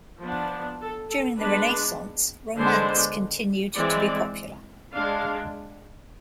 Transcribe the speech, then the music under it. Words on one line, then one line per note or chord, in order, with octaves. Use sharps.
During the Renaissance, romance continued to be popular.
F3 B3 D4
A4
A4
G#3 B3 D4 B4
D3 G#3 B3 D4 C5
E3 G#3 C4 D5
G#3 D4 F5